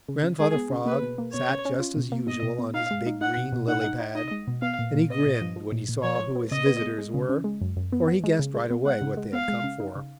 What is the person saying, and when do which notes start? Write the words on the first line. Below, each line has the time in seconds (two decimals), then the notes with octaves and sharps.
Grandfather Frog sat just as usual on his big green lily-pad, and he grinned when he saw who his visitors were, for he guessed right away what they had come for.
0.08 C#3
0.23 C#3
0.39 G#3 G#4
0.55 B3
0.70 C#3
0.86 A#3 B4
1.02 B2
1.18 A#3
1.33 B2 C#5
1.49 C#4
1.65 C#4
1.80 F4
1.97 B2
2.12 A#3
2.27 B2 D#5
2.42 B2
2.59 B2
2.74 D#4 F5
2.91 G#3
3.06 D#4
3.21 D#4 F#5
3.37 B2
3.52 B2
3.68 D#4 F#5
3.84 D#4
4.00 D#4
4.15 D#4 D#5
4.31 G#3
4.47 B2
4.62 B3 F5
4.79 A#2
4.94 A#2
5.10 B3 D#5
5.26 A#2
5.41 F3
5.56 F3
5.72 A#2
5.89 A#2
6.03 F3 C#5
6.19 F3
6.35 B3
6.51 C#3 D#5
6.66 B3
6.81 G#3
6.98 G#3
7.14 C#3
7.29 C#3
7.44 G#3
7.61 F#2
7.77 F#2
7.92 B3
8.07 B3
8.24 G#3
8.39 C#3
8.55 G#3
8.70 B3
8.85 G#3 F#5
9.02 C#3
9.17 G#3
9.33 B3 F5
9.48 G#3
9.64 C#3
9.80 D#4
9.96 C#3